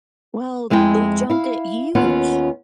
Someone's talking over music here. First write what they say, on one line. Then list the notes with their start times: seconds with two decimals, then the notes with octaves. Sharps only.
Well, they jumped it huge.
0.70 F2 G#3 E4 G4 G#4 G5
1.30 E4 F5
1.95 D#2 B3 C#4 F4 C#5 F#5